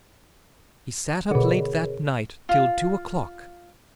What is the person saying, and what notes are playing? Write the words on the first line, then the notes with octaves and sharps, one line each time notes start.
He sat up late that night, till two o'clock.
B2 D3 G#4 A#4 C#5
F4